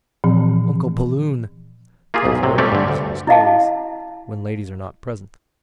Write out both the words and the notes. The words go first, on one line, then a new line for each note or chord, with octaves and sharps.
Uncle Balloon!--Tells very amusing stories . . . when ladies are not present . . .
A#2 E3 F3 C4
A#3 F4 G4 G#4
B1
C3 F#3
G3 A3 C4 C#4 G4 D5
G2 D3
D2
E4 D#5 F5 A5